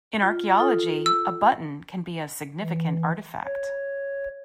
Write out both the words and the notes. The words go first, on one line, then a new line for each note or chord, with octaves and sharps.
In archaeology, a button can be a significant artifact.
F4
F4 A4 D#6
E6
E3
C#5